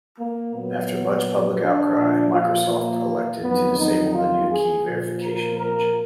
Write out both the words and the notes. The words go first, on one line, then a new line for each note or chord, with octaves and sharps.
After much public outcry, Microsoft elected to disable the new key verification engine.
A#3
A#2 F#3 B3
D4
A#2 F3
F4
A#3
F2 D#3 F#3 B3
D#4
F4
G#4
A#2 F3
A#4
A#4